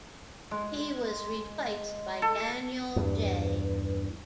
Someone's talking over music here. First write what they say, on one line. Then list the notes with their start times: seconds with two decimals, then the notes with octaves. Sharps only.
He was replaced by Daniel J.
0.51 G#3
2.22 A4
2.96 E2 G2